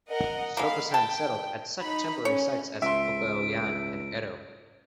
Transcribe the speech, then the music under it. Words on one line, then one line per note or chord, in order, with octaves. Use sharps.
Soposan settled at such temporary sites as Oke-Oyan and Aro.
A#4 D#5 F#5
G#3 A#3 F5 B5
G5 A5
D#4 B5
C#4 C#5
C#2 E5 C6 D7